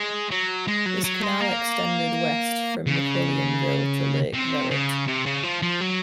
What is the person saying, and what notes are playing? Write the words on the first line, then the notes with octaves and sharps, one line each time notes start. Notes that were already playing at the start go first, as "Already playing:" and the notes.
This canal extended west from Napoleonville to Lake Verret.
Already playing: G#3
F#3
G#3
F#3
F#3
G#3
A#3
C#3
C3
C#3
C3
C#3
F3
F3
F#3